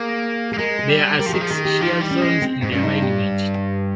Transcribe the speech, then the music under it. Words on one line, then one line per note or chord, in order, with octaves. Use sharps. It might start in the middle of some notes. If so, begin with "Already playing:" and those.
There are six shear zones in the alignment.
Already playing: A#3 G#4
A#3 G#4
G#3 A#4
G#4
G3
G4
G3 A#4
F3 G4
D#3 G#4
F3
D#3 G#4
G4
F3 D#4
G3
C#4
G#3
C4
G#2 C4
G2 C#4
D#4
G4